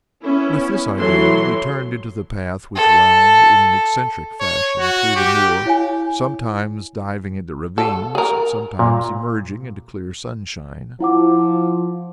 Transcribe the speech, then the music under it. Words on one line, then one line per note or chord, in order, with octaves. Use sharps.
With this idea he turned into the path which wound in an eccentric fashion through the moor, sometimes diving into ravines, and sometimes emerging into clear sunshine.
B3 C#4 E4
E3 F#3 A3 E4 C6
A4
C#5
F#4
G4
E4 C#5 F5 G#5
A4
G#4 A#4
A#2
F3 E4 F#5 D6